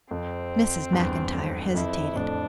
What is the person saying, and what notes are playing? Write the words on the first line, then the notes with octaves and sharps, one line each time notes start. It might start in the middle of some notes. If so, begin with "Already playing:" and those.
Mrs. MacIntyre hesitated.
F2 C4
E2 G2
F2
F2 E4
F2 A2 D4